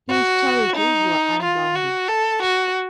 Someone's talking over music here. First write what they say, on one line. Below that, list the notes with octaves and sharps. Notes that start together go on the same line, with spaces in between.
His charities were unbounded.
F#4
D#4
F4
F#4
A4
F#4